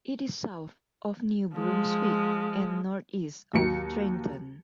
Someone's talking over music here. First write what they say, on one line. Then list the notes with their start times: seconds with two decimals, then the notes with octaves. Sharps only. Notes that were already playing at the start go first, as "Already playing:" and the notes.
It is south of New Brunswick and northeast of Trenton.
1.56 F3 G#3
3.53 D#2 F#3 C#7